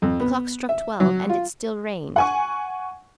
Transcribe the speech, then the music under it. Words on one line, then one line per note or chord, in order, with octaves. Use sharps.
The clock struck twelve, and it still rained.
F2
B3
E5
F#3
F4
F#5 G#5 C#6